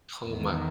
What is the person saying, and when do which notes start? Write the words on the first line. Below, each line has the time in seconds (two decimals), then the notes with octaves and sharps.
Oh my
0.25 E2 D#3